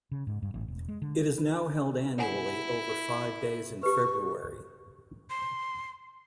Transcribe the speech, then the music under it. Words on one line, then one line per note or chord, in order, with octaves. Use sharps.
It is now held annually over five days in February.
C#3
G#2
G2
A1
E1
G#3
D3
E4 C#5 F#5 G#5
G4 B4 C#6
C6